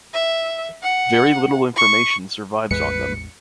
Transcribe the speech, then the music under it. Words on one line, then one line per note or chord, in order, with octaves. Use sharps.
Very little information survives on them.
E5
F#5
C#6
A1 E2 G#3 B4 C#7